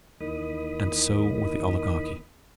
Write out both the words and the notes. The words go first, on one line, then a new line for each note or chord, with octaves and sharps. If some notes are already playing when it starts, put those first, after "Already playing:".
And so with the Oligarchy.
D#2 E3 A#3 D#4 B5 D#6